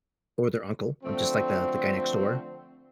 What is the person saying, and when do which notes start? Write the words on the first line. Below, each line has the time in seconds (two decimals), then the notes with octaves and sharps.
or their uncle. I'm just, like, the the guy next door,
1.03 D3 F3 A3 C4